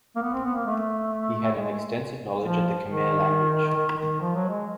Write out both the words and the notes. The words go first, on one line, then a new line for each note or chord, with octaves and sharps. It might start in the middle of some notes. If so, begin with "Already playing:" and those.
He had an extensive knowledge of the Khmer language.
A#3
B3
C4
B3
A#3
A3
G#3
F3
D#3
D#3
D#3
F3
F#3
G#3